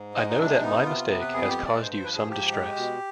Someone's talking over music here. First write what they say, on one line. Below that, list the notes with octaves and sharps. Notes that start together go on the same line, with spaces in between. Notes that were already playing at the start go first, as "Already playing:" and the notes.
I know that my mistake has caused you some distress.
Already playing: G#2
G#3 D#4
D#4
C3 D4
B3 D#4
C3 F4
F4
B3
B4
F2 G#4
G4
G#3
D5
G2 C5
C5
F3 B4
G#4
G#2 G4
G#3
B2